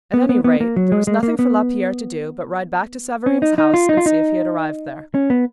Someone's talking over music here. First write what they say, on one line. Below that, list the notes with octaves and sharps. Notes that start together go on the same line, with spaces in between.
At any rate, there was nothing for Lapierre to do but ride back to Savareen's house and see if he had arrived there.
B3
B3
B3
A#3
F#3
G#3
G#3
A#3
B3
C#4
D#4
D#4
F4
D#4
F4
D#4
C#4
B3